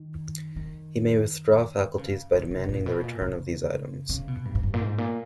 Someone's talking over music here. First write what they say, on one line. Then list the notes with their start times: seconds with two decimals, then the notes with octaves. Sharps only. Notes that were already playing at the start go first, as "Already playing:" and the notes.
He may withdraw faculties by demanding the return of these items.
Already playing: D#3
0.56 D#3
1.98 C#3
2.33 C#3
2.51 C#3
2.69 A#2
2.86 B2
3.04 A#2
3.22 C#3
4.09 C#3
4.28 B2
4.45 G2
4.55 G#2
4.63 G2
4.74 A#2
4.81 G#2
4.98 A#2